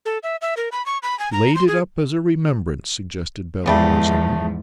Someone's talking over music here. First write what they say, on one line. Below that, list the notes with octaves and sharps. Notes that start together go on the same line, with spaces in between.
'Laid it up as a remembrance,' suggested Bella, musingly.
A4
E5
E5
A#4
B5
C#6
B5
G#5
A#5
C6
G#4
E2 G#2 C#3 F3 G3 A3